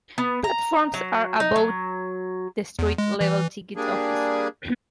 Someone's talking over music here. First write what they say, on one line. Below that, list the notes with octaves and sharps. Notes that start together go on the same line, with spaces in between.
Platforms are above the street level ticket office.
B3
A#5
F#3
D#4
F#3
E2
G#3
E3
G3 A#3 D4 G#4